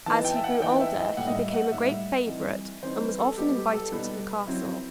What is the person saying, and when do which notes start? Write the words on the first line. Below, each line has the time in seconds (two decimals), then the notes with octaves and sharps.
As he grew older he became a great favorite and was often invited to the castle.
0.06 E3 B3 D#4 A5
0.25 G5
0.36 E5
0.44 F#5
0.62 E3 B3 D#4 G5
0.80 E5
0.99 D#5
1.17 A2 G3 D#4 F#5
1.27 D#5
1.35 E5
1.54 F#5
1.72 A2 G3 D#4 E5
2.27 E3 G3 C4 D#4
2.83 E3 G3 C4 D#4 C5
3.00 B4
3.18 A4
3.37 B2 G3 B3 D#4 G4
3.56 G4
3.74 A4
3.92 B2 G3 B3 D#4 B4
4.47 F#3 C4 E4